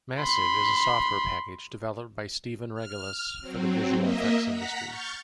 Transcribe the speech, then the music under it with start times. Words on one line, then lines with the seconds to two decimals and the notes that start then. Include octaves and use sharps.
"Massive" is a software package developed by Stephen Regelous for the visual effects industry.
0.21 B5 C6
2.74 F6
3.41 F#3 C4
3.95 A#3 D#5 E5
4.47 F#5 A#5 B6
4.84 C#6 F6 G6 A6